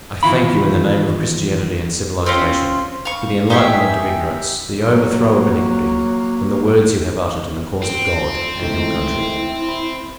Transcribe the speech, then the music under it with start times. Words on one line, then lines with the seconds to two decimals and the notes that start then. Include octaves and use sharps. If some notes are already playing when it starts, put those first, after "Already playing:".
I thank you, in the name of Christianity and civilization, for the enlightenment of ignorance, the overthrow of iniquity, and the words you have uttered in the cause of God and your country.
0.23 E2 D#3 E4 F4 B5
2.26 C4 C#4 F4
3.05 F5 C#6
3.50 D#4 G4 G#4 E5
4.80 F#3 A#3
7.82 F2 C4
8.61 C#2 D#3 A3 E4
9.68 B5